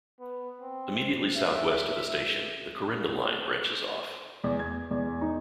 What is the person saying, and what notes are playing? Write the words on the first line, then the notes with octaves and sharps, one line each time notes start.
Immediately south-west of the station, the Corinda line branches off.
B3
C4
E5
E2
G#6
E2
D#4